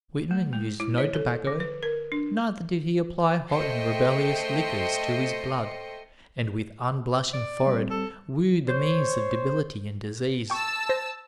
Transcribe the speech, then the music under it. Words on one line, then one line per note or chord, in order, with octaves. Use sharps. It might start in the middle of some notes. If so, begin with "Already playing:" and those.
Whitman used no tobacco, neither did he apply hot and rebellious liquors to his blood and with unblushing forehead woo the means of debility and disease.
A3
G#3
E4
C#5
A4
D3
B4
A#4
D4
A3 C5 D#5 G5 C6 C#7
D5
G3 C4
A4
C5 C#5
G5 A5 C#6 E6
C5 A#6